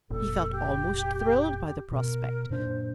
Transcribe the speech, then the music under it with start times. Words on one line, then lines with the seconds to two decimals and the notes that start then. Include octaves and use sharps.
He felt almost thrilled by the prospect.
0.10 F1 A#2 A4
0.51 G4
1.92 B2 A#4
2.50 F#2 A#2 D4 C5